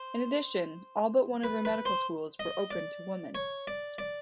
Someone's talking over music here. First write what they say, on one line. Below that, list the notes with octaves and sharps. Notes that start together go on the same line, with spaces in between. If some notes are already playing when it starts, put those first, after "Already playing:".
In addition, all but one of their medical schools were open to women.
Already playing: C5
B4
B4
C5
D#5
D5
C#5
D5
D5